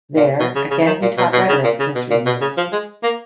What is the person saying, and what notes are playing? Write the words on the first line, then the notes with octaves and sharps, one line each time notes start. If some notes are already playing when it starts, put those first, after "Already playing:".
There again he taught rhetoric for three years.
A#2
B2
C#3
C#3
D#3
A#2
B2
B2
C#3
A#2
C#3
B2
A#2
B2
C#3
F3
G#3
A#3